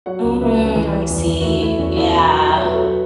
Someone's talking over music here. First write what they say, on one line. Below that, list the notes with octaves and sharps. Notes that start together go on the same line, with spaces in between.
Mhm, I see, yeah.
F#3 C#5 F#5
C#2
C#3 B4 E5
C#2
C#4
E3
E3
E2
E3
F#4
A3 E4
A3 E4
E2 C#4 F#4
E2 E4 A4
B2
F#3
F#3 E5 A5
C#5 F#5
F#3 B4 E5
A4 C#5
F#4 B4